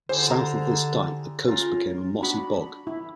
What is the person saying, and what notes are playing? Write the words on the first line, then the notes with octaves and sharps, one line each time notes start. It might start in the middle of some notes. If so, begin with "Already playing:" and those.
South of this dike, the coast became a mossy bog.
D3 E4 G4 G#4 C5
A#5
C#3 F4 A#4
D4 F#4 B5
E4